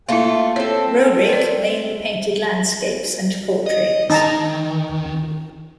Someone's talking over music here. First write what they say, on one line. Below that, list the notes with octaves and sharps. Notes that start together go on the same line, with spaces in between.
Roerich mainly painted landscapes and portraits.
A3 A#3 E4 F4
C4 A4 C#5
B4 D5
D#5
D#3 D#4 A5 A#5